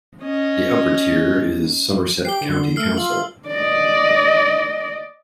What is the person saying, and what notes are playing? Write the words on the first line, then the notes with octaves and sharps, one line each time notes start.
The upper tier is Somerset County Council.
C#4 D#5
G4 C7 G7
D3
D3
A3 E6 F6 C7
F4 F#7
D5 D#5